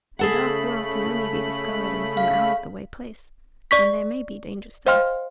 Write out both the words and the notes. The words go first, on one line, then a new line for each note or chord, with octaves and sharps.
"A dark well can only be discovered in some out-of-the-way place, and there may be dangers there."
C#3 A3 G#4 A4 F#5 B5
F5
D5 C#6 B6
C5 D#5 F5 G5 C6 F6